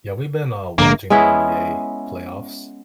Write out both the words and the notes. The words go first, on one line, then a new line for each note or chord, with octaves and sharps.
Yeah, we've been, uh, watching the NBA playoffs,
A#1 G#2 D3 G#3 A#3 A#5
G#3 B3 C#4 E4